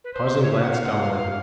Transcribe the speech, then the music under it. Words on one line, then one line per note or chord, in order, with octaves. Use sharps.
Tarzan glanced downward.
B4
C5
C#5
E5
F#5
F5
F#5
F5
F5